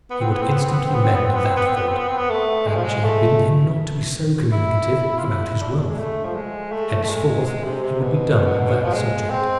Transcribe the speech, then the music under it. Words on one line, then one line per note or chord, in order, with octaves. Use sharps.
He would instantly mend that fault. And she had bidden him not to be so communicative about his wealth. Henceforth he would be dumb on that subject.
B3
C4
B3
C4
B3
C4
B3
C4
B3
C4
B3
C4
B3
C4
B3
C4
B3
C4
B3
C4
B3
A3
G#3
F3
G#3
A3
E4
F4
E4
D4
G#3
A3
F3
G#3
A3
A3
G#3
G#3
C3
C3
B2
F3
G#3
C4